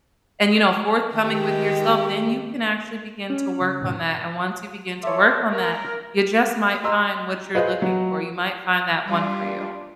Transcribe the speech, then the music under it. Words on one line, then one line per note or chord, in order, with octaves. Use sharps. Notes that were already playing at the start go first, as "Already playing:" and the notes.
and, you know, forthcoming with yourself, then you can actually begin to work on that, and once you begin to work on that, you just might find what you're looking for. You might find that one for you.
D#3 G#3 G4
C#4
C#3
G#2 B2 D#3
A4 C#5 E5 C6 D6
A#4
D#5 A#5 C6 E6
F4 G#4 B4 C5 D#5
F#3
G3 D4 F4